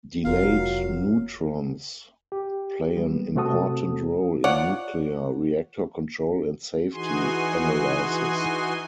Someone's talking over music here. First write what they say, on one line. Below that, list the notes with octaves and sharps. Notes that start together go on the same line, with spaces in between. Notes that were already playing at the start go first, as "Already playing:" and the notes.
Delayed neutrons play an important role in nuclear reactor control and safety analysis.
F1 F2 F#3 F4 A#4 F5
G4
G3 B3
C3 A3 C4 F#4 A4 D#6
F4 C#5 D5 F#5
E3 D#4 F#4 G#4 G#5 C6